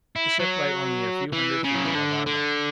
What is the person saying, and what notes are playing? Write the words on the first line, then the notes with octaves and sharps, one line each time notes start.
The ship lay only a few hundred feet above our level.
E4
F#3
E3
C#3
F#3
E3
D3
D3